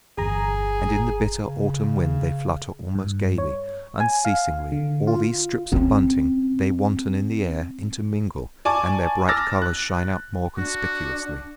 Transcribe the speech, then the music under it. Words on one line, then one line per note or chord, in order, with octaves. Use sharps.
And in the bitter autumn wind they flutter almost gaily, unceasingly, all these strips of bunting, they wanton in the air, intermingle, and their bright colours shine out more conspicuously.
G1 E2 G#4 A#5
C#3
G2
C#5
G#5
F5
D3
F4
C4 C#4
D5 G#5 A5 C#6 D6
D6 E6 F6 A6 A#6
F#6
D4 F#4